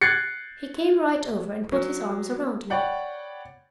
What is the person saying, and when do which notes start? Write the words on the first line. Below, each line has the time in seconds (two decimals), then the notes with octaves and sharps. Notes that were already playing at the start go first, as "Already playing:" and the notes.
He came right over and put his arms around me.
0.02 F#6 G#6 A6 C7 C#7
1.72 F#3
2.70 C#5 D5 F#5 G5 B5